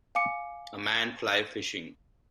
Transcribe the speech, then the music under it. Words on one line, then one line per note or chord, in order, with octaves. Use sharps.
A man fly fishing.
F5 G#5 D6 C#7